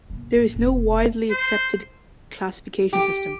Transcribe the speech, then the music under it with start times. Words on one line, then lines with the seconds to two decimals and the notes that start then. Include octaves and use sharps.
There is no widely accepted classification system.
0.10 B2 A#3
0.35 A#1
0.56 F1 B2
1.30 C5
2.93 G4